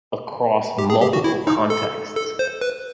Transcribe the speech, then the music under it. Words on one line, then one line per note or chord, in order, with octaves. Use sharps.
across multiple contexts.
G4
G#4
G4
F#4
E4
D#4
A4
A4
C5
B4